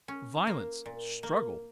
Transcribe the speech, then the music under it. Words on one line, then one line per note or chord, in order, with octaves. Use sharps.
"Violence! Struggle!"
C#4
A#3
A#2
A#3